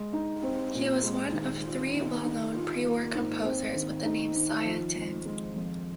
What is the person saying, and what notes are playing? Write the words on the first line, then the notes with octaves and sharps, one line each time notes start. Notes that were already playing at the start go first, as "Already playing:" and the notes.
He was one of three well known pre-war composers with the name Saya Tin.
Already playing: G#3
D#4
C4
A#2
G#3
D#3
F4
D#3
D#3
F4
A#3
G#2
C4
D#3
D#4
D#3
F3
F2
G#3
F2